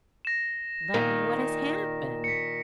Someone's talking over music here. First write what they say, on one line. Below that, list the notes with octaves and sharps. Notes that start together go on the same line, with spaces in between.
"But what has happened?"
A#6 E7
A#2 D#3
B6 C#7